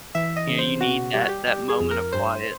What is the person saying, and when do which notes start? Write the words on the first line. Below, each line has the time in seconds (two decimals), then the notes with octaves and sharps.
You know, you need that that moment of quiet.
0.15 E3 E5
0.36 D#5
0.47 C#3
0.59 C5
0.81 B2 F#4
1.14 G3 G4
1.21 F#4
1.29 G4
1.47 G3 G4
1.69 G#4
1.80 F2
1.91 A#4
2.12 G2 C5